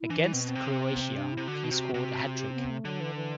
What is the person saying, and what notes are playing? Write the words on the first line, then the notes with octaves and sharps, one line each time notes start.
Against Croatia, he scored a hat-trick.
E4
E3 D4
E4
B2 C4
C4
C3
B3
C4
D4
C3 E4
D3 F#4
B2
C3
C3
F#4
G4
C4
B3
A3
D3 F#3
E3
E3